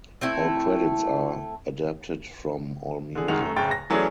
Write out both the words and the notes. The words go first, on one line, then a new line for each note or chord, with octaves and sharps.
All credits are adapted from Allmusic.
A3 C4 E4
D3 G#4
F#2 D#3 G#3 F#5 F7
F#2 A3
D1 F#2 C#3 G5 A6
A#6
E3 F#3 A3 C#4 G#4 D5